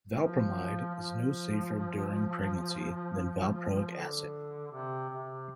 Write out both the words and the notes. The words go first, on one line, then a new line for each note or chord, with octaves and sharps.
Valpromide is no safer during pregnancy than valproic acid.
F3
F3
D3
C3
C3